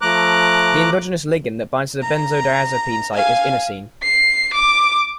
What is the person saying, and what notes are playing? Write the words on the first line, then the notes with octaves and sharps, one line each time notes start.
The endogenous ligand that binds to the benzodiazepine site is inosine.
F3 A3 A#5 D6 F#6
A#5
F5 G#5
C7
D6